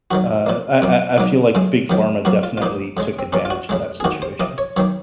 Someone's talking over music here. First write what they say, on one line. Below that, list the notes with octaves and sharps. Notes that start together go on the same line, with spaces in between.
uh, I I I feel, like, Big Pharma definitely took advantage of that situation.
F2 D#3 F#3 F#4
A#2 F3 A#3
F#2 F3 A#3
G#2 F#3 A#3
F#2 C#3 G#3
F2 D#3 F#3
F#2 F3 A#3 F#4
F4
F4
A#2 F3 A#3 D#4
F2 C#3 G#3
C4
C3 F3 A#3 C#4
F4
F#4
F2 C#3 G#3
G#4
F2 D#3 A#3 F#4
C5
C3 F3 A#3 D#5
C#5
F#2 D#3 A#3 C#5